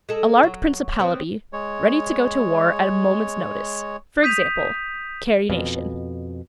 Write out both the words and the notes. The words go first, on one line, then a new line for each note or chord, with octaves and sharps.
A large principality ready to go to war at a moment's notice. For example: Carrie Nation.
G#3 A4
F#3
B3 C4 C#5
G#3 C#5
D#6 G6 B6 D#7 F7
F2 B2